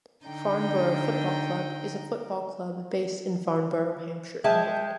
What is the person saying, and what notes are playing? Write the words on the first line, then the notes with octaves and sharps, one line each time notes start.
Farnborough Football Club is a football club based in Farnborough, Hampshire, England.
D3 D#4 G5
G#3 E5 G5 A5